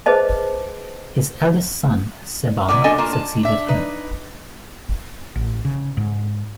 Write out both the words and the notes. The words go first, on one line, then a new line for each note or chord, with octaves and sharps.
His eldest son, Saban, succeeded him.
G#4 B4 C5 D#5 A5
C3 E3 F#3 A#3 B3 D5
B2 A3 D4 A4 D#5 G#5
A#3 D4 F4 A#4
A5
D4 E5
D#4 B4
A1
C#3
G#2